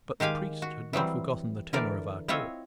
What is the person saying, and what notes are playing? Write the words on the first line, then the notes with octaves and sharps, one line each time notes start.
But the priest had not forgotten the tenor of our talk.
D#3 G#3 G4 F5 G#5
F#4
E3 F#3 G3 C4
D3 E3 A#4 D5
C4 E4 F4 C#5 D#5